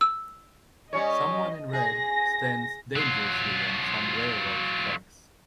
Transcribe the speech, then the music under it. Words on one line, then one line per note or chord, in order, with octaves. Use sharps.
Someone in red stands dangerously on some railroad tracks.
E6
G3 C#4 C#5 D#5
G#4 A#6
F#3 F4